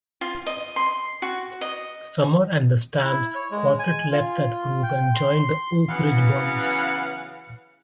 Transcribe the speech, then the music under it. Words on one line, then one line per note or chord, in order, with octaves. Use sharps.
Sumner and the Stamps Quartet left that group and joined the Oak Ridge Boys.
F4
D#5
C6
F#4
D#5
E4
C#5
G#3
G#5
F4
G5
C6
C#3 E3 F#3 B3 F5 F#5